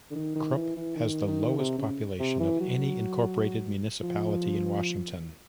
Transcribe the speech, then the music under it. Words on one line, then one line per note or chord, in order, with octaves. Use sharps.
Krupp has the lowest population of any incorporated municipality in Washington.
D3
D#3
D#3
E3
E3
D#3
D#3
C3
C#3
C3
E3
F#3
F3